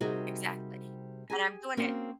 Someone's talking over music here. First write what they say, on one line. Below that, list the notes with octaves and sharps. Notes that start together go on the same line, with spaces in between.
Exactly, and I'm doing it
C3 G3 D#4 F#4 G#4 A#4
G4 G#4 G#5
A#3 C4 C#4 F#4 A#4